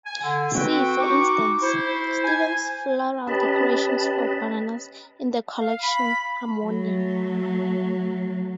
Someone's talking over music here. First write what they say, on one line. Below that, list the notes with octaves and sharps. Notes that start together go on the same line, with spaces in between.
See, for instance, Stevens's "Floral Decorations for Bananas" in the collection "Harmonium".
G#5
D3
C4 F#4 B4 G5
D#4 F#4 C#6 D6
E4 C5
G#5
C#4 G4 B4 D#5 A5 B5
F5
B5
F#3 A3